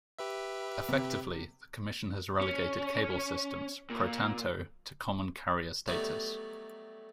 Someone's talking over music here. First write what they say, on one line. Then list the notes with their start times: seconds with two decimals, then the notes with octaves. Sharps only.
Effectively, the Commission has relegated cable systems, pro tanto, to common-carrier status.
0.19 G4 B4 E5
0.89 C3
2.41 C#4
3.90 A#2
5.88 F#3 G3 A3 B3 D#4